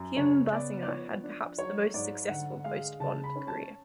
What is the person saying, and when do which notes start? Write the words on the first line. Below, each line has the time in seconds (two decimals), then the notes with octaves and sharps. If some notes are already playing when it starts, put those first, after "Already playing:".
Kim Basinger had perhaps the most successful post-Bond career.
Already playing: F#2
0.17 C#3 C#5
0.52 B3 D5
0.83 D5
0.88 F3 C#5
1.23 D4
1.59 F#3 C#5
1.94 G#2 D5
2.29 D3 F#5
2.64 G#3 F5
3.00 C#3 A5
3.24 B5
3.36 C#4
3.48 A5